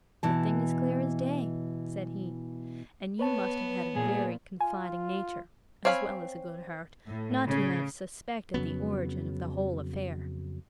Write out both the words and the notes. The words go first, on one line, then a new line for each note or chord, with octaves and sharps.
"The thing is clear as day," said he; "and you must have had a very confiding nature, as well as a good heart, not to have suspected the origin of the whole affair."
B2 E3 A5
B3 B4 C#5 A5
A#2 G#4
F4 G#5
C4 C#5 F5 G#5 B5
A2
C#3
F2 C#3 F#3 B3